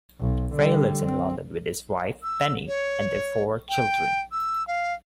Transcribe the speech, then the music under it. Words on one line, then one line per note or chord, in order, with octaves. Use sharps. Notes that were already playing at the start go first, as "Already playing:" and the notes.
Frei lives in London with his wife, Penny, and their four children.
B1
D3 G3
C4
E6
C#5
G5
E6
F5